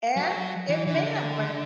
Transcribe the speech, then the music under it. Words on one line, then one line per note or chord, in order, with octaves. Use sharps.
And it may have, but
F#3
E3
E3
D3